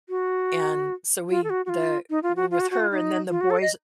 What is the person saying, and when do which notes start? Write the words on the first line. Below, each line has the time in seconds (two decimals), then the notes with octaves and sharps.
And so we the were with her and then the boys
0.09 F#4
1.29 F4
1.44 A4
1.50 F#4
1.66 F#4
1.69 F4
2.10 D#4
2.23 F4
2.36 F#4
2.51 F4
2.60 F#4
2.71 F#4
2.80 F4
2.91 D#4
3.30 F4
3.41 F#4
3.50 A4
3.61 D#5